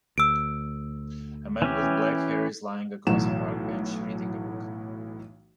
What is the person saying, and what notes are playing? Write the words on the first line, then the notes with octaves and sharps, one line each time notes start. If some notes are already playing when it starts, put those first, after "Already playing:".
A man with black hair is lying across a park bench reading a book.
D2 E6 D7
E3 C#4 G4
B1 A2 E3 F#3 E7